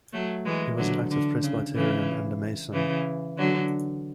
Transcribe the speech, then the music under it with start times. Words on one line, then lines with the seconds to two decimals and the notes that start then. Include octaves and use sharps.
He was an active Presbyterian and a Mason.
0.13 F#3 A3
0.45 E3 G#3
0.78 D3 F#3
1.10 D3
1.43 C#3
1.75 C#3 E3
2.73 C#3 E3
3.37 D3 F#3